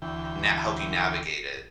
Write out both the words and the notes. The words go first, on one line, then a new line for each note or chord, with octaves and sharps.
na help you navigate it.
D2 E3 G5